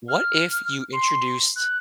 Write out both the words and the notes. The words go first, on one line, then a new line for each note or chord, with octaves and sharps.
what if you introduced
F6
C6
F#6